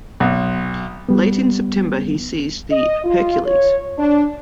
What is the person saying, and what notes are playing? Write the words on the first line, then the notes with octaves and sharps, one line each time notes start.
Late in September he seized the "Hercules".
B1
G3 B3
D#5
F4
C#5
D4